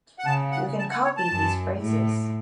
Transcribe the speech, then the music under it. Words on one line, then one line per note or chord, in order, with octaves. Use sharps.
You can copy these phrases.
F#5
C#3 A5
F#5
A5
F#5
C#5
A5
F#2
A2